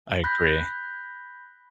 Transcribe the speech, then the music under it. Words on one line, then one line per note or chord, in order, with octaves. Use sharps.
I agree.
B5 F#6 G6 A#6 B6